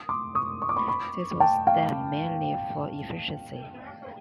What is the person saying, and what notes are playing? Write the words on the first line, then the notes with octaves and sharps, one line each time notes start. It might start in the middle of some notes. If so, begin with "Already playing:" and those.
This was done mainly for efficiency.
Already playing: D#6
C6 D6
C#6 D#6
C#6
D6
B5 C#6
B5 C#6
G5 A5
F5 G5